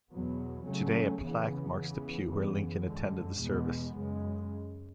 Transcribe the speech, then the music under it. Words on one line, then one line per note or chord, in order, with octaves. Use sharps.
Today a plaque marks the pew where Lincoln attended the service.
E2 B2 F#3 B3
C#3 F#3 A3 C#4
E2 C#3 E3 B3
C#3 E3 B3
F#2 C#3 E3 B3
F#2 D3 G#3
E2 B2 G#3 B3
F#2 C#3 G#3